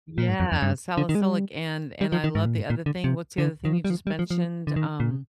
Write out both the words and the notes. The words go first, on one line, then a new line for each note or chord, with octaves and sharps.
Yeah, salicylic, and and I love the other thing. What's the other thing you just mentioned, um
A#2
G#2
F2
F2
G2
D3
D#3
G#3
G3
G3
F3
D#3
G#2
A#2
G#2
A#2
D3
C3
D3
D#3
F3
G3
F3
G3
F3
F3
D3
D#3
A#2
C3